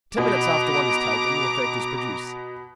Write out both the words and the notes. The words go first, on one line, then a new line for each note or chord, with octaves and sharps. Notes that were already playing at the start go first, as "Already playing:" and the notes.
Ten minutes after one is taken, the effect is produced.
B2 A#5 D6